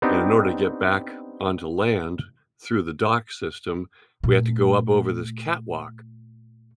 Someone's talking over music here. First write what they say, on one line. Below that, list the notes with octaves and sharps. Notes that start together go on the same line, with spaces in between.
and in order to get back onto land through the dock system, we had to go up over this catwalk,
B3 C4 D4 D#4 G4
A#2 A3